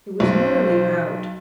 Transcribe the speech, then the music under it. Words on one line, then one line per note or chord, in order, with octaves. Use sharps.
It was nearly out.
B1 C5